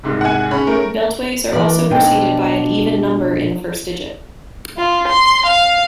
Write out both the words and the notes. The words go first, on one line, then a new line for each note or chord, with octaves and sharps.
Beltways are also preceded by an even number in the first digit.
C2 G#2 C3
F#5 G#5
C#4 G#4 B5
A3 A#4
E3 A#4 B4 D5
B2 D4 C5 G5 G#5
F4
C6
F5